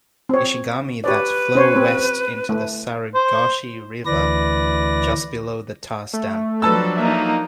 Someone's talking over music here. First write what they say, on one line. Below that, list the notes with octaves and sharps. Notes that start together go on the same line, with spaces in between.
Ishigami that flow west into the Sarugaishi River just below the Tase Dam.
C4 C#5
G4 B4 C#5 D5
C#4 C5 C#5
C4 C#5
A3
C5
D2 E3 B4 D5 A#6
A3
F3 F#3 D4 A4 B4 A5 E6
A#3 D#4 E5